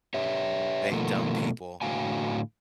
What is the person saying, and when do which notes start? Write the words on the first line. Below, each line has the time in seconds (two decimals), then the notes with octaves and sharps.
make dumb people,
0.14 G4 C#5 E5
0.92 B2 D#3 F3 A3 A#3
1.82 A2 D3 F#4 F5 G5 G#5